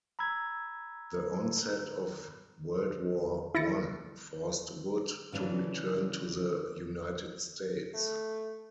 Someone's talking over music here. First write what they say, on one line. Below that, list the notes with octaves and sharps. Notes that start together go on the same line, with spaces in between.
The onset of World War One forced Wood to return to the United States.
A#5 B5 E6 G#6
E4 A6 A#6 C#7
C#3 E3 C#4 D4
A3